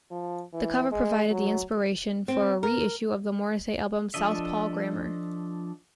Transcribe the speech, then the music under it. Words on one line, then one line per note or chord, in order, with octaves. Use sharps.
The cover provided the inspiration for a re-issue of the Morrissey album, Southpaw Grammar.
F3
E3
G#3
F#3
C4
A#4
F3 D4 A4 D#5 E5